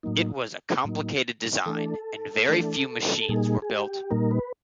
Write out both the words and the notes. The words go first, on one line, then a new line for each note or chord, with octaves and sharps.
It was a complicated design and very few machines were built.
A2 F#3 A#3 D#4
A2 F#3 A#3 D#4
E3 A3 D4 A4
E3 A3 D4
A#2 G3 A#3 D#4 G#4
G#4
G4
A#2 G3 A#3 D#4 A#4
B4